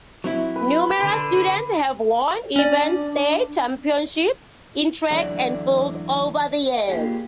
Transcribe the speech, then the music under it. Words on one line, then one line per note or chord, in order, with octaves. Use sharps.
Numerous students have won event state championships in track and field over the years.
F#3 C4 E4
B4
D3 C6
C#4 D4 D5
E2 D3 F#3 A3 D5
A#3 F4 G4 G#4